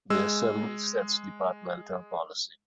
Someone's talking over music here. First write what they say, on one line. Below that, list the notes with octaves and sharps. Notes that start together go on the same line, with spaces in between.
The Assembly sets departmental policy.
G#3 E6